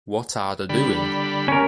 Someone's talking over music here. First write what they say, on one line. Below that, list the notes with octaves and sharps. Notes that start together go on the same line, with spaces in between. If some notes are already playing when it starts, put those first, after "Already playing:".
What are the doing?
D3 G3 B5
C#4 A#4